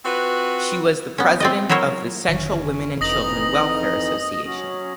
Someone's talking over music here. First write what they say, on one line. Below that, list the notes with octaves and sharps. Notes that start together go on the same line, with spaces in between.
She was the president of the Central Women and Children Welfare Association.
C4 F4 F#4 B4
B3 C#4
C4 D5 D#5
F#3 E4 A#4 C5 C#5
F1 D3 D#3 C#4
F1 F2 E3 D#4 D#5 D#6 A#6 F#7
F#3 C#4